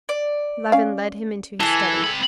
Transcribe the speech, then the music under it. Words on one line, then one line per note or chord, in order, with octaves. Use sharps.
Levin led him into his study.
D5
C#4 F5
E3 G#4 A4
C4 B5